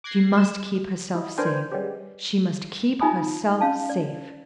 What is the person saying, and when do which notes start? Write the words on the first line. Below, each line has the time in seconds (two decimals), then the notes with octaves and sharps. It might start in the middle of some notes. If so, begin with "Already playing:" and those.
She must keep herself safe--she must keep herself safe.
0.04 D6 F#6 G#6 A#6 C7
0.37 E7
1.15 E4 F#4 D#5
1.38 B3 D4 A#4 C5 G5 G#5
1.72 G3 G#3 B3 C#4 G4
3.00 D#4 F4 E5 G#5 B5 D#6
3.61 C#4 F5 A5
3.89 D5